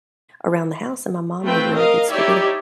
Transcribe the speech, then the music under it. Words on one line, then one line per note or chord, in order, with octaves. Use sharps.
around the house, and my mom made really good spaghetti.
A3 C4 F4 B4 G5
A#4 D#5 F5
D#4 E4 G4 C#5 D5 E5